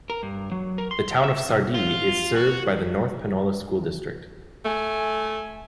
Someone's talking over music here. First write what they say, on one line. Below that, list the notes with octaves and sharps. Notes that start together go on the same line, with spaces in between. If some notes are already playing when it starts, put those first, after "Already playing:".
The Town of Sardis is served by the North Panola School District.
A#4
G2
F#3
A#4
C6
E5
C3
F4
F#4
A3 G#5